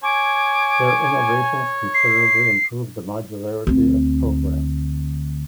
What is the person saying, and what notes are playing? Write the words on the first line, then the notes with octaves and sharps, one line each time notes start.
Their innovations considerably improved the modularity of programs.
C#5 G#5 D6
C7
D2 C4